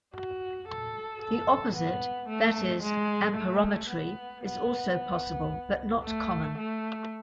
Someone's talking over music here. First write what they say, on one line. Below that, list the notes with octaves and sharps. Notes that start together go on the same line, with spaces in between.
The opposite, that is, amperometry, is also possible but not common.
F#4
A4
A4
B3
A3
G#3
A3
B3
B3
A3
A3